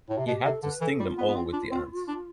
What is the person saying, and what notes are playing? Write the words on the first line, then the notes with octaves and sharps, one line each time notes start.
He had to sting them all with the ants.
A2
C3
B2 G4
C3 A4
D3 B4
E3 A4
G3 F4
B3
B3
C4
D4
C4
D4